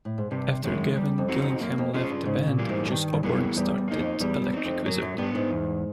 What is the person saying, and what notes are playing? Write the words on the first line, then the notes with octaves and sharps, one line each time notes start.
After Gavin Gillingham left the band, Jus Oborn started Electric Wizard.
A2
G#2
G2 C3
F#2 D#3 G#3
E2 G3
F2
C4 D#4 F#4
F2
F2
F#2 A#3
F2
F2 C#4 F4 G#4
G2
G#2 C#3
A#2
E3 G3 A#3
G#2
F#2
G2 D#3
G2
F#2 G3 B3 E4 G#4
E2 G3
E2
F#2 A#3 D#4
F2
E2 G3
E2
C4 D#4
F2
F#2 F#3
F#2
G2 B3 D4
G#2
E2